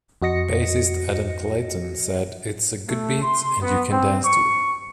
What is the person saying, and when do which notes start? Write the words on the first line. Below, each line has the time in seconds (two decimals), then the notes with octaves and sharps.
Bassist Adam Clayton said It's a good beat and you can dance to it.
0.22 F2 F#4 D#5 A#6 C#7
2.88 A3
3.22 C6
3.62 B3
3.90 C4
4.25 C#6